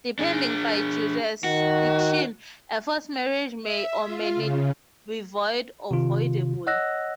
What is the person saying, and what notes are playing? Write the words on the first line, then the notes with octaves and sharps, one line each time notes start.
Depending by jurisdiction, a forced marriage may or may not be void or voidable.
D4 G#4
D#3 F#4
E5
F4
C#3
C3 D#3 F4
C#5 D#5 F#5 E6 F#6 A#6